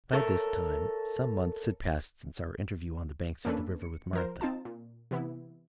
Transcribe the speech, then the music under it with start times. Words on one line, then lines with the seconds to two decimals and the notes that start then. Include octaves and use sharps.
By this time, some months had passed since our interview on the bank of the river with Martha.
0.13 A4 A#4 C#5 E5
3.45 A#3 C#4 D4 A4 B4
3.82 C#7
4.13 F3 A#4 C5
4.41 C4 D#4 F4 A5
4.65 A#2
5.11 C3 E3 B3 E4